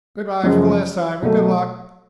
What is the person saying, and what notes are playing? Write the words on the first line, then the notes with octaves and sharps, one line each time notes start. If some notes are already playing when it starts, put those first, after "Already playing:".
"Good-by for the last time, and good luck."
F#2 C#3 F3 G#3
B2 F#3 A3